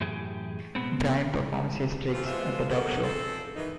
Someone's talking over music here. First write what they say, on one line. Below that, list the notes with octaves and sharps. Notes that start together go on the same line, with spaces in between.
Brian performs his tricks at the dog show.
F#2 A2 E3 G4 G#4
B2 G#3 B3 C4
E3 F3 A3 C4 F4
B2 E3 G#3 F4 C5 E5
F#3 G3 A#3 B3 A4 A#4
F3 C4 G#4 A4
D#3 E3 D#4